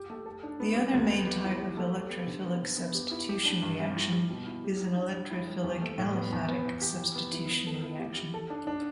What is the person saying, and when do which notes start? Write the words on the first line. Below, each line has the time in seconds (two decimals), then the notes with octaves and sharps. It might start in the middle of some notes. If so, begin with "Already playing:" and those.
The other main type of electrophilic substitution reaction is an electrophilic aliphatic substitution reaction.
Already playing: G4
0.10 A3
0.26 A4
0.43 D4
0.60 B3
0.76 G3
0.93 D2
1.10 B3
1.27 G4
1.44 E4
1.60 G4
1.77 A3
1.94 G4
2.10 B3
2.27 D3
2.45 B3
2.62 D3
2.78 B3
2.95 G4
3.11 E4
3.29 G4
3.45 D4
3.62 G2
3.80 G3
3.96 E4
4.12 G3
4.30 B2
4.47 E4
4.64 G4
4.80 E4
4.97 D4
5.14 G3
5.30 E4
5.47 G3
5.64 E2
5.81 A3
5.98 A2
6.14 B3
6.32 E2
6.48 B3
6.65 E3
6.82 G4
6.98 E4
7.15 B3
7.33 E4
7.50 B3
7.67 A4
7.83 E4
7.99 G4
8.17 E4
8.34 A4
8.50 D4
8.67 D4